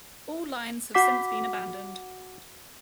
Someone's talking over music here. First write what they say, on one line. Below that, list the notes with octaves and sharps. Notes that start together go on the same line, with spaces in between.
All lines have since been abandoned.
F#4 F#5 D6 B6